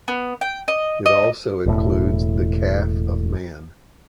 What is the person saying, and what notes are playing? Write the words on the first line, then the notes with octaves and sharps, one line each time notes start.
It also includes the Calf of Man.
B3
G5
D#5
D#5
E1 A2